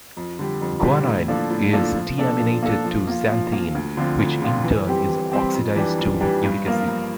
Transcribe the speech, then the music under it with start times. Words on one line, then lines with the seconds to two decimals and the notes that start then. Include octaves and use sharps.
Guanine is deaminated to xanthine which in turn is oxidized to uric acid.
0.17 F2
0.39 D3 G3
0.61 F2
0.83 D3 G3
1.06 A2
1.28 F3 A#3 D4 A4
1.50 A2
1.73 F3 A#3 D4 A4
1.95 F3
2.18 A#3 D4 A4
2.40 F3
2.63 A#3 D4 A4
2.85 F3
3.07 A#3 F4
3.30 F3
3.52 A#3 F4
3.75 D2
3.97 D3 F3 C4 F4
4.19 D2
4.42 D3 F3 C4 F4
4.64 E3
4.87 G3 C4 G4
5.09 E3
5.32 G3 C4 G4
5.54 F2
5.76 E3 G3 D4 G4
5.98 F2
6.21 E3 G3 D4 G4
6.43 G2
6.66 F3 A#3 F4 A#4
6.88 G2